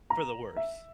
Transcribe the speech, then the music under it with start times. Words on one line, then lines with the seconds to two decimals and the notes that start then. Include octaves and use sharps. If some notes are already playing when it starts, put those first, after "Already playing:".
for the worse.
0.10 A#5
0.56 E5